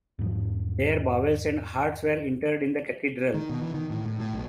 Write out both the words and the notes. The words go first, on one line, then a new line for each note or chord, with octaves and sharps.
Their bowels and hearts were interred in the cathedral.
E2 G#2 F3
D#3
B2
E3
D#3
A2
A2
A2
B1